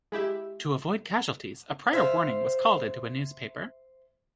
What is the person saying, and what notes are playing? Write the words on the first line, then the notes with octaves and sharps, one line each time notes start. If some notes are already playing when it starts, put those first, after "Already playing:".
To avoid casualties, a prior warning was called into a newspaper.
G#3 E4 G4 E5
C5 E5 F5